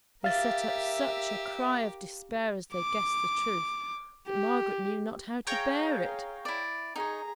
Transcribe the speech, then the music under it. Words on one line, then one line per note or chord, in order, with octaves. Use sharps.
They set up such a cry of despair as they guessed the truth, that Margaret knew not how to bear it.
G4 A#4 E5 F5 A6
D6
G4
G#4 C#5 F5 G5 A#5
E4 D5
D#4 G#4 C#5 A#5